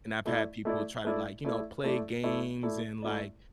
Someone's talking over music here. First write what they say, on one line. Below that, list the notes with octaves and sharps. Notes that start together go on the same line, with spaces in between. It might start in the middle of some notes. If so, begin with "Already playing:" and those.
And I've had people try to, like, you know, play games and, like,
A3 E4 D5
A3 E4 D5
A3 E4 D5
A3 E4 D5
A3 E4 D5
A3 E4 D5
A3 E4 D5
A3 E4 D5